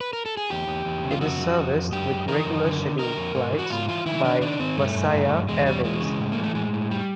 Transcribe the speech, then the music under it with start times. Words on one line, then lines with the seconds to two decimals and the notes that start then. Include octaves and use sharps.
It is serviced with regular scheduled flights by Wasaya Airways.
0.01 B4
0.13 A#4
0.26 A4
0.37 G#4
0.50 E2 G4
0.67 E2
0.85 E2
1.04 C#3
1.11 F4
1.21 F2 F#4
1.39 F2
1.57 F2
1.74 F2
1.92 F#2 G4
2.10 F#2
2.28 E3 A#4
2.45 F#2
2.64 D3
2.81 D3
2.99 D3 A#4
3.17 F2
3.35 G#2
3.52 E3
3.59 F#4
3.70 G#2 F4
3.88 E3 F4
4.06 D#3 E4
4.24 D#3 D4
4.41 D#3 D4
4.59 D#3 C4
4.77 G2 A3
4.95 G2
5.13 G2
5.31 G2
5.49 E2 G#3
5.66 E2 G3
5.84 E3 G#3
6.02 C#3
6.20 A2
6.32 A#3
6.38 E3
6.44 A3
6.55 A2 G#3
6.73 A2
6.91 G3